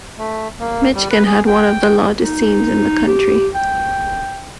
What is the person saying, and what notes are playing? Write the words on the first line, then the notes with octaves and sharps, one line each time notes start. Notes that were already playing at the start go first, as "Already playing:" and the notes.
Michigan had one of the largest scenes in the country.
A3
A#3
G3
B4
G#4
G5
D#4
G4
G5